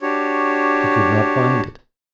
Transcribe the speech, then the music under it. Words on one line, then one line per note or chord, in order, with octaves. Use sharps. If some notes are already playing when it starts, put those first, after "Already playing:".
He could not find it.
D4 F#4 G4 C#5